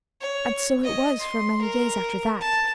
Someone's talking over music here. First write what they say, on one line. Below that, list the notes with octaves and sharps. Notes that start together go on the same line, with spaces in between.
And so it was for many days after that.
C#5
D#5
C6
A#4
A5